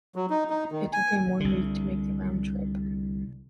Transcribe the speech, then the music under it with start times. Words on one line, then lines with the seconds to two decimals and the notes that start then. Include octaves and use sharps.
It took him one week to make the round trip.
0.16 F#3
0.30 D#4
0.50 D#4
0.72 D#3
0.93 G#5
1.40 C2 D3